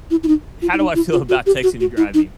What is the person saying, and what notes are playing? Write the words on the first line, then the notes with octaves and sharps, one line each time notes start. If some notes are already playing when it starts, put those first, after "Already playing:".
how do I feel about texting and driving?
E4
E4
D#4
F4
E4
D#4
E4
F4
F#4
G4
F#4
F#4
E4
D#4